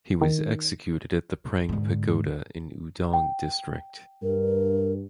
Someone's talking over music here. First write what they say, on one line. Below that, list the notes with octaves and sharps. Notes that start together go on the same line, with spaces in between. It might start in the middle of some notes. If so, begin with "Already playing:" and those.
He was executed at the Prang pagoda in Oudong district.
D#3
G#2 D3
G5
G2 A#4